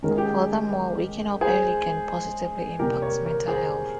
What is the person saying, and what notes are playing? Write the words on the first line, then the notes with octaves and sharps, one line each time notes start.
Furthermore, waking up early can positively impact mental health.
D#3 G#3 C#4 A#4
G#4
G4
G#4
G#4 C5
C3 G3 A#3 D#4 G4 A#4
A#4 C#5
A#4 C#5
G#4 C5